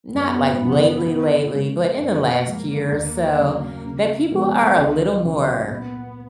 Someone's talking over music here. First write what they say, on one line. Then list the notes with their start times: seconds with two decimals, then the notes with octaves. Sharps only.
not, like, lately, lately, but in the last year or so, that people are a little more
0.15 F#2 B3
0.61 C#3 F3
1.07 D#3
1.53 G#3 C#4 G#4
1.99 F#2 A#3
2.46 F3 G#3
2.92 D#2
3.39 C#3 F#3
3.85 C#3
4.32 F3 G#3 B3
4.78 C#2
5.24 C#3 F#3 C#4
5.70 A#2 B3